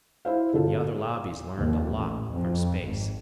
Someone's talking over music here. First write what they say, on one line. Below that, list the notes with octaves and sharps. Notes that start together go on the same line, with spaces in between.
The other lobbies learned a lot from Space.
E4 C5 F5
G1 B2 F4 A4
D#2
A1
F2
G#1